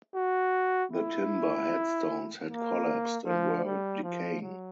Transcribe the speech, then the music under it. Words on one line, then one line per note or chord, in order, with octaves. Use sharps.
The timber headstones had collapsed and were decaying.
F#4
E4
A#3
F3
G3
F3
F#3